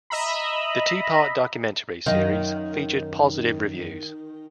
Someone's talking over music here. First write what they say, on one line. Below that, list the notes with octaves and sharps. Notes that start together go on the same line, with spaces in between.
The two part documentary series received positive reviews.
D#5 E5 A#5 B5
F#2 D#3 D#5 F5